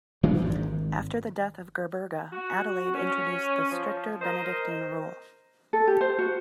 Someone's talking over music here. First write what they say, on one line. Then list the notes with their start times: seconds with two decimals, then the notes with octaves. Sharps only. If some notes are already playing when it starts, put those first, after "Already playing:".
After the death of Gerberga, Adelaide introduced the stricter Benedictine rule.
0.23 E3 F#3 G#3 D4
0.42 G#1 G#2
2.33 F#4
2.94 C#4
3.71 F3
4.21 A#4 C5 D#5
5.73 A4
5.87 G4
6.01 C5
6.19 F#4